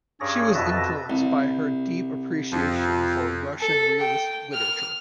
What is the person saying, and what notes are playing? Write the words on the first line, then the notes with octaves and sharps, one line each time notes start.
She was influenced by her deep appreciation for Russian realist literature.
G2 C#4 G#4 C#5 D5 A#6
F2 B2 B4 E5 A5 A#6
C2
F2
A4
G5
F6